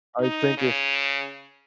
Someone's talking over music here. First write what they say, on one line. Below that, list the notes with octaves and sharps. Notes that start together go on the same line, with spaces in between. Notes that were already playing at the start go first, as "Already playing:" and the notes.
I think i
D#4
C#3